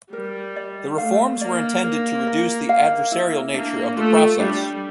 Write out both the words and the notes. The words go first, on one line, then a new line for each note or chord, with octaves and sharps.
The reforms were intended to reduce the adversarial nature of the process.
G3 A#4
D5
A3 F5
A#3 D5
A#4
A#4
F5
E4
A#3 D4
A3 F4
G3 D4